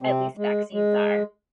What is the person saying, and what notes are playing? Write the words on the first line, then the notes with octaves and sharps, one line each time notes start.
at least vaccines are.
C3 C4
G#3
G#3